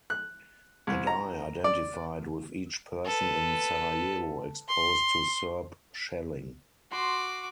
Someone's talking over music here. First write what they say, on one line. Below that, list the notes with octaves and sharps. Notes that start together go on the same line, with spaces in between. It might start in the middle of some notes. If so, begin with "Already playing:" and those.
And I identified with each person in Sarajevo exposed to Serb shelling.
F#6
C2
A#5
D5
A4 B4
C6
F#4 C6 D6